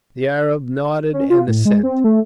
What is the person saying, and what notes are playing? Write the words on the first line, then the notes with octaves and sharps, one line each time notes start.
The Arab nodded an assent.
C#4
F4
A2
G#3
C4
A3